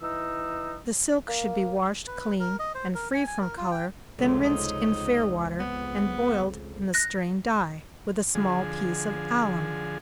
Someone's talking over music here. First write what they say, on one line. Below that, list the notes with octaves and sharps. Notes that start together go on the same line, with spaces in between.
The silk should be washed clean, and free from color, then rinsed in fair water, and boiled in the strained dye, with a small piece of alum.
E3 D#4 E6
A#3
B4
A#4
D#5
C5
A#4
G#5
G#5
A#4
F4
G5
F1 C#2
D#4
B3
F#6 A#6
D3 F3 G#4